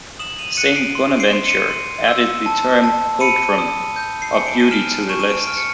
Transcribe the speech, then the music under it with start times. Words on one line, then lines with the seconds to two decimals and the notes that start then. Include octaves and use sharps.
Saint Bonaventure added the term "pulchrum" or beauty to the list.
0.19 D#6 E7 F#7
0.39 D#7 F7
0.57 F#6 C#7 D#7
0.76 C7 D7
0.95 C6
1.20 C7 D7
1.33 C6
1.45 C#7 D#7
1.70 C6
2.08 E6
2.46 A5
2.83 A5
3.20 B5 C#7 D#7
3.58 D#6
3.96 G6
4.22 C7
4.34 G#5 C#7
4.47 D7
4.60 D#7
4.71 F6 D7 E7
5.09 C#6 E7
5.20 D#7
5.30 D7 E7
5.46 F6 D7
5.57 C#7